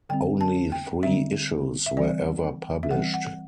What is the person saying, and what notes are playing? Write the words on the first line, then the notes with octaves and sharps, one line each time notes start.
Only three issues were ever published.
D3 G3 C4 G5
A5
G5
D3 G3 C4 E5
E5
E3 G3 C4 D5
E5
E3 G3 C4 F#5
F#5